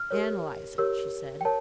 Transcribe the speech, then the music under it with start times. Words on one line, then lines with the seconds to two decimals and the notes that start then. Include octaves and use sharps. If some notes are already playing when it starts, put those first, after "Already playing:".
"Analyse it," she said.
Already playing: F6
0.11 G4 A#4 C#5
0.78 G4 A#4 C#5 E6
1.41 G5
1.45 A#4 C#5 A5